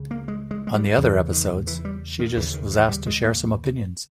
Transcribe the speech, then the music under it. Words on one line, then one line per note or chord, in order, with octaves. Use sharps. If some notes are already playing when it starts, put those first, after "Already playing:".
On the other episodes she just was asked to share some opinions.
Already playing: C#2 C#3
A#3
G#3
G#3
G#3
G3
E2 C#3
D#3
E3
G3
D#3
D#2 C#3 E3
D#3
E3
G3
G#3
A#3